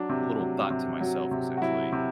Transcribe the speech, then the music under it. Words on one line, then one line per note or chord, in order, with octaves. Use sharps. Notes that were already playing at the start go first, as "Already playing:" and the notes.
a little thought to myself, essentially.
Already playing: F#3 D4
C3
F#3
C3
F#3
C3
F#4
F#3 E4
C3